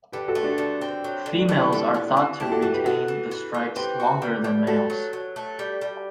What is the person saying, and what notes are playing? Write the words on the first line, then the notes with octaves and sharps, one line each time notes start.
Females are thought to retain the stripes longer than males.
D3 G4 B4
F#4 A4
A3
D4 F#4
D3
C4
F#3
D3
A3 E4 G4
D3
B3
E3
D4 E4 G4
F#4 A4
E3 F#4 A4
G4 B4
B3 F#4 A4
E3
B3
E3
C4 G4 B4
F#4
G3
G3
A3 F#4 A4
F#3
F#3
A3
G3
G3